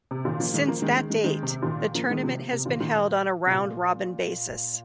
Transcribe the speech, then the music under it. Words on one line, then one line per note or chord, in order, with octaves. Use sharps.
Since that date, the tournament has been held on a round-robin basis.
C3
A#2 D#3
F3 A#3
D#3 G#3
F3 A#3
D#3 G#3
D#3 G#3
D#3 G#3
D#3 G#3
C3
A#2 D#3
F3 A#3
D#3 G#3
C3 F3
C3
A#2 D#3
A#2 D#3
C3
A#2